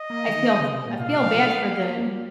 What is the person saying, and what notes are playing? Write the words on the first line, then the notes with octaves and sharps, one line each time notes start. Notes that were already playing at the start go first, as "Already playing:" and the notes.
I feel I feel bad for the
Already playing: D#5
A#3
D#3
D#3
C#3
C3
A#2
A#2 F5
C3
F3
G#3
A#3
G3